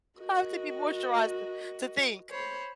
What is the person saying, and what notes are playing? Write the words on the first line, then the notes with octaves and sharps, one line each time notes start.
I have to be moisturized, to to think.
F#4 A#4 D#5
C5 C#5 B5